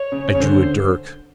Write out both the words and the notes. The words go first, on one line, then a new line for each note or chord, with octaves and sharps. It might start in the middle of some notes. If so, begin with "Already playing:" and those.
I drew a dirk.
Already playing: C#5
C#3
C#3 C#5
D3 C5